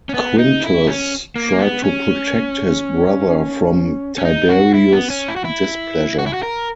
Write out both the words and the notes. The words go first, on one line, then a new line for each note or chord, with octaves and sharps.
Quintus tried to protect his brother from Tiberius' displeasure.
C#4
B3
D#4
E4
C#4
A#3
B3
C#4
C#4
D#4
F#4
E4
B3
C#4
E4
F#4
E4
F#4
E4
F#4
A#4